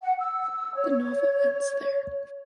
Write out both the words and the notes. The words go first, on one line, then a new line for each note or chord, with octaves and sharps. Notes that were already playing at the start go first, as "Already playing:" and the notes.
The novel ends there.
F#5
E6
C#5